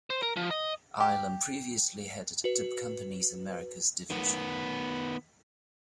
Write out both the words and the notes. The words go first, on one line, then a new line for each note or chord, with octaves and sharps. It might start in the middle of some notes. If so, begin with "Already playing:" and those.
Eilam previously headed the company's Americas division.
C5
A#4
F3
D#5
G4
F#4 B4
D#3 B3